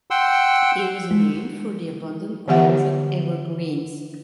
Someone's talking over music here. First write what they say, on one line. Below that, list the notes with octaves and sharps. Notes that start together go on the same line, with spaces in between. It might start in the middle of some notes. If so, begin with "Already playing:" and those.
It was named for the abundant growth of evergreens.
F#5 G5 C6 E6
G#3
D3 E3 B3 G4 E5 F#5